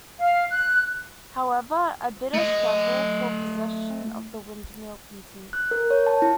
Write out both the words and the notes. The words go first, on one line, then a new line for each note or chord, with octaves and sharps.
However, a bitter struggle for possession of the windmill continued.
F5
F#6
A3 D#5
F#6
A#4
C#5
A5
E4